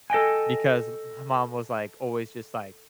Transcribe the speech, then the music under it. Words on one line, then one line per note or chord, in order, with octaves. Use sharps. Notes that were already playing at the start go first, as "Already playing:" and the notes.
because m mom was, like, always just, like,
A4 D#5 G5 G#5